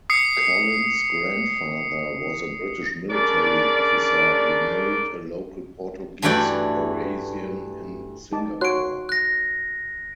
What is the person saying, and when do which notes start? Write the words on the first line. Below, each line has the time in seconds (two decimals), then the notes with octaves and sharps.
Colin's grandfather was a British military officer who married a local Portuguese-Eurasian in Singapore.
0.10 D#6 C7 C#7
3.10 C#3 D4 A#4 D5
6.22 G2 E3 A3 F#4 D5 G5
8.32 D#4 A5 D6
8.61 F#4 C#5 C6 F#6 D7
9.09 F#6 A#6